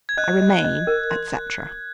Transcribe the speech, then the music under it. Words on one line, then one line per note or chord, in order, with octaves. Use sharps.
I remain, etc.
G#6
D#5 F#6
D#5
D#5
A#4
C6